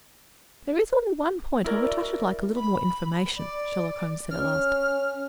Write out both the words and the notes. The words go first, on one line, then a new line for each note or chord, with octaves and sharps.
"There is only one point on which I should like a little more information," Sherlock Holmes said at last.
E4 F#4 A#4 D5
B5
D5
C#4 F6